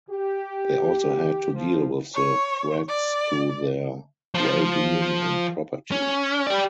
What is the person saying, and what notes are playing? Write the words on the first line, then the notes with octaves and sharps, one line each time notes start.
They also had to deal with the threats to their wellbeing and property.
G4
F3
C#5
D5
F3 C5
C#4
G4 D5